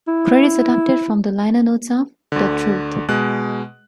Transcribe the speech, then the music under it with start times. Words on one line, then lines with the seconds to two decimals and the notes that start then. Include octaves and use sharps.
Credits adapted from the liner notes of "The Truth".
0.08 E4
2.32 D2 D3
3.09 B2 G#3 F#6